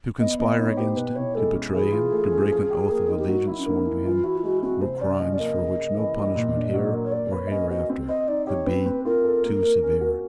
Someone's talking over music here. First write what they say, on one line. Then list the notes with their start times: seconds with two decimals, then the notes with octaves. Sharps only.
To conspire against him, to betray him, to break an oath of allegiance sworn to him, were crimes for which no punishment here or hereafter could be too severe.
0.20 B3 D#5
0.38 B3 D#5
0.58 D#4 C#5
0.77 G4 C5
0.96 B2 B4
1.16 E4 C#5
1.35 G#3 A4
1.54 C#4
1.74 E3 G#4
1.92 F4
2.12 A3
2.31 C#4
2.51 F3
2.70 G4
2.90 A#3
3.08 D#4
3.19 G4
3.28 F#3 F#4
3.47 E4
3.59 C#4
3.66 A#3 D4
3.85 C#4 E4
4.04 E3 F4
4.23 E4 F#4
4.37 F4
4.43 G#3 F#4
4.63 C4 F#4
4.82 C3 C5
5.01 C#4 D5
5.19 F3 D#5
5.33 D5
5.39 A#3 D#5
5.58 C#3
5.78 C#3
5.97 E3
6.16 G3
6.35 A#2
6.55 D4
6.74 F#3
6.93 A#3
7.04 C#5
7.12 A#3 D5
7.32 B4 C#5
7.47 E5
7.50 C#4 D#5
7.70 F#4 D#5
7.89 C4
8.08 C5 D#5
8.28 D#4 D5
8.47 G4 C#5
8.66 C4 B4
8.86 C4
9.05 F4 A#4
9.25 A4
9.43 A#3
9.63 A#3
9.83 C#4
10.01 F#4